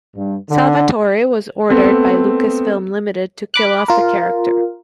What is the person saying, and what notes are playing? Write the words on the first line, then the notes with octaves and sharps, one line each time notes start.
Salvatore was ordered by Lucasfilm Limited to kill off the character.
G2
D3
A3 B3 C4 A4
B5 D6 F#6
F4 A#4